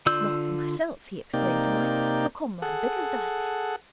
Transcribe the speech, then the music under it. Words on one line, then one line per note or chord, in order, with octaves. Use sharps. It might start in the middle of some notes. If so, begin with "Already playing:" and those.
'Not for myself,' he explained to Mike. 'For Comrade Bickersdyke.
D3 F4 D5 E6 G6
C3 A#3 D#4 D5 G5
G#4 A4 F#5